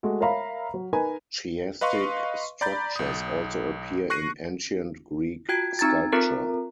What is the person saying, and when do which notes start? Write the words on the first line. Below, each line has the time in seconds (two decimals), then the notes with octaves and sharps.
Chiastic structures also appear in Ancient Greek sculpture.
0.03 G#3 A3 F#4
0.20 A#4 C#5 E5 F5 A#5 B5
0.74 F#3
0.93 D#4 A#4 B4 G#5 B5
1.81 B4 D#5 F5 C6 C#6
2.61 D5 A#5 B5 G6 A6
2.96 B1 D#6
4.10 C#6 F#6 A#6 C7 D#7
5.49 F4 F#4 G5 G#6 D7
5.79 C4 D#4 A#5 G#6 A6
6.12 C4 F4 A4 A#4 A#5